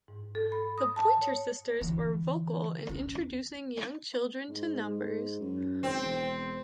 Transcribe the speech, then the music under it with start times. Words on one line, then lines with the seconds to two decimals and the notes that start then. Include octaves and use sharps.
The Pointer Sisters were vocal in introducing young children to numbers.
0.08 G#2
0.35 A4
0.52 B5
0.78 D#6
0.96 A5
1.21 C#5
1.81 D3 E3
2.89 D#2 C#4
4.49 G#2
5.40 F#2
5.83 G#1 C4
6.00 E1